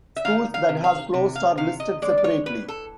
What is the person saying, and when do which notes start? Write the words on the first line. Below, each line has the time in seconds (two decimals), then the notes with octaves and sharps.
Schools that have closed are listed separately.
0.16 E5
0.25 D#3 F5
0.54 F5
0.69 C3
0.84 F5
1.14 C3
1.35 F5
1.57 C3 F5
1.80 D#5
2.02 G#3 D5
2.17 D5
2.24 C#5
2.46 A2 B4
2.68 A4